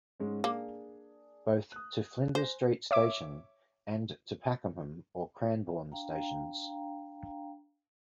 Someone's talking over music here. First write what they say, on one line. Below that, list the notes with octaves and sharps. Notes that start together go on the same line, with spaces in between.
Both to Flinders Street station and to Pakenham or Cranbourne stations.
G#2 G#3 C#4
A#3 D4 G#4
D#6 F#6
C5 G#5 A#6
C#5 E5 D6
D4 F5 G5 A#5